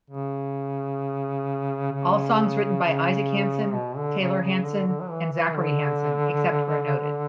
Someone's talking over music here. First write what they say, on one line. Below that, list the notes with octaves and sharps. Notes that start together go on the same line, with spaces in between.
All songs written by Isaac Hanson, Taylor Hanson and Zachary Hanson, except where noted.
C#3
C#3
C#3
B2
D3
C#3
C#3
D3
D3
F#3
E3
E3
D3